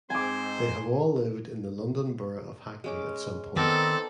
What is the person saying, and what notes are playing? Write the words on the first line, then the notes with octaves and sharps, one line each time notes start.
They have all lived in the London Borough of Hackney at some point.
G#2 C4 C5 G#5 D6
G#3 C#4 D6
D#3 B3 C4 D#4 A4 A#4 D5